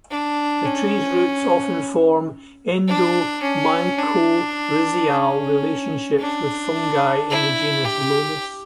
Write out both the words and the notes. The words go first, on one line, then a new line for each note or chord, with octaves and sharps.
The tree's roots often form endomycorrhizal relationships with fungi in the genus "Glomus".
D4
C#4
D4
C#4
D4
C#4
D4
E4
G4